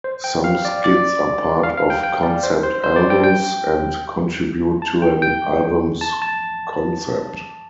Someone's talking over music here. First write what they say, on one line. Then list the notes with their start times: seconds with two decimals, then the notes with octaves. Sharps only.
Some skits are part of concept albums and contribute to an album's concept.
0.04 C5
0.24 G5
0.44 F5
0.65 D5
0.84 D5
1.63 F5
1.77 F5
1.90 G5
2.03 G5
2.23 D5
2.43 C5
2.63 C5
2.83 C5
2.96 D5
3.10 G5
3.23 G5
4.82 A5
5.02 G5
5.22 G5
6.01 A5
6.22 A5